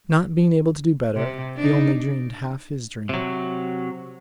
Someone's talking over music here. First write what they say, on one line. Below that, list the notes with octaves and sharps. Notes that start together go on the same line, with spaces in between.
Not being able to do better, he only dreamed half his dream.
C3
D4 D#4
C3 F#3